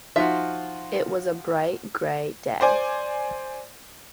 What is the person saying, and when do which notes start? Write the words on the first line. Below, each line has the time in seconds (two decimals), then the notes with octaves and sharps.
It was a bright grey day.
0.16 F3 D#4 F4 F#4 E5
2.61 C5 D5 G#5